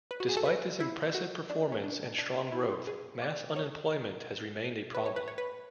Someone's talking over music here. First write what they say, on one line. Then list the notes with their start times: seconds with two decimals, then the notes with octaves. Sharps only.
Despite this impressive performance and strong growth mass unemployment has remained a problem.
0.11 B4
0.20 F#4
0.29 G#4
0.37 A4
0.45 B4
0.80 E4
1.15 F#4
1.50 D4
1.72 C#4
1.84 D4
2.18 D4
2.52 E4
2.87 G#4
3.22 D5
3.56 C#5
4.95 B4
5.06 C#5
5.16 B4
5.28 C#5
5.38 B4